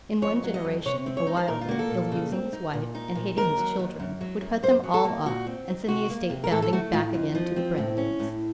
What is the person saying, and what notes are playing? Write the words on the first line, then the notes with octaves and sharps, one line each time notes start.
In one generation, a Wylder ill-using his wife and hating his children, would cut them all off, and send the estate bounding back again to the Brandons.
F2 C#5
F#3
D#5
F2
C3 C#5
C4
C#5
D#4
C5
A#2 A#4
F4
A#3 F#4
A4
A#2
C#3
C4
D#4
A#2
D#4
A#2
D#2 A#4
F#3
D#2
F#2
F#3
F#2
F#2 C5
F#3
A4
A#3
A#2 F#4
C4
D#4
C3 F#4
A#3
C3
A#4
A2 A4
A4
A3 F#4
A2 F4
F2
F3
C4
A2
C#4
A2